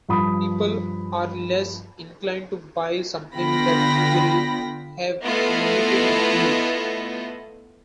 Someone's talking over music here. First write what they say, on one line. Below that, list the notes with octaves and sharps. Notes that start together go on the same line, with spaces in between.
People are less inclined to buy something that will have limited use.
G2 F3 B5 D#6
D3 B3 F4 G5 B5 A#6
A3 B3 E4 F4 A4 D#5